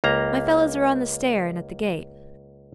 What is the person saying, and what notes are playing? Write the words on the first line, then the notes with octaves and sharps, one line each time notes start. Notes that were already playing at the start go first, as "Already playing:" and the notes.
'My fellows are on the stair and at the gate.
C#2 A#3 A#5